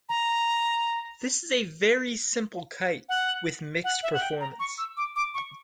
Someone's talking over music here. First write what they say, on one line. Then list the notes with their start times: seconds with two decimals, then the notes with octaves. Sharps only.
This is a very simple kite with mixed performance.
0.09 A#5
3.09 F#5
3.84 F#5
4.03 E5
4.14 F#5
4.22 G5
4.41 A#5
4.60 C#6
4.78 E6
4.97 D6
5.16 D6
5.34 C#6